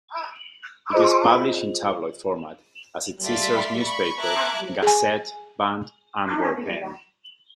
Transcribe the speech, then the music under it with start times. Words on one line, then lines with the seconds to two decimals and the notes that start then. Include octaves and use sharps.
It is published in tabloid format as its sister newspaper "Gazet van Antwerpen".
0.93 F4 G#4 C5 D#5
3.25 A3 D5 E5 F5 C6 B6
3.80 B5 C#6
4.18 E5 A5 A#5 D6 F#6 G#6
4.82 G#4 G#5